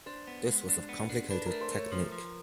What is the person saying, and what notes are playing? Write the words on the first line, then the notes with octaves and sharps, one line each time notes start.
This was a complicated technique.
D4 C5
B3
G#3
D4
B3
D4
D4 B4
A3 A#4
C5
A3
C#5
F3 C5
F3